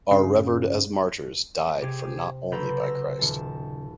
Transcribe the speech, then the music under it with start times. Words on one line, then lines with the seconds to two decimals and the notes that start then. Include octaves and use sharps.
Are revered as martyrs died for not only by Christ.
0.11 G2 C#3
1.82 C3 G4 G#4
2.52 C#3 F#3 A4 B4 C5 A#5
2.80 E6 A#6
3.19 D#1 A5